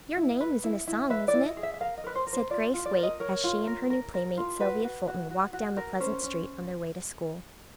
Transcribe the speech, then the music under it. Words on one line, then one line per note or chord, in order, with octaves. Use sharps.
"Your name is in a song, isn't it?" said Grace Waite, as she and her new playmate, Sylvia Fulton, walked down the pleasant street on their way to school.
E4
B4
E4
E4
B4 E5
D5
E4
D#5
G#4
E5
E5
A#4 F5
D#5
A#4 B4
C5
A#4
C5
F4 D5
F4
D5
A#4
D#5
A#4 C#5
F4
A#4
A#4
A#4
F4
F#4 B4
F#4
F#4
F#4
F#4
A#4
C#4 C5
C#4